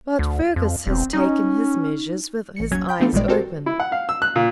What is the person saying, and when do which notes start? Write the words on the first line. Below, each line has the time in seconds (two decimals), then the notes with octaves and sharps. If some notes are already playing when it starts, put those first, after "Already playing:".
But Fergus has taken his measures with his eyes open.
0.19 D2
0.56 F2
0.87 E1 C4
1.13 C#4 D#4
2.56 A1 C#7
2.71 G1 D#2 F#3 C#4 G#6
2.89 G5 B5 G6
3.00 A3 B3 C4 D4 F4 A4
3.13 A1 A#2 D#3 G3 G#3 D5
3.28 C4 F#4 G4 A4 A#4 C5
3.66 E4
3.80 F#5
3.92 F5
4.09 E6
4.22 F#6
4.36 A#2